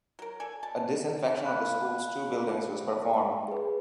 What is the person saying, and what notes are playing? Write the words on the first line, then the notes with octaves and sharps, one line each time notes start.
A disinfection of the school's two buildings was performed.
F#3 A#4
A4 D5 G#5
B2 A5
F5 B5 F#6
G#4 B4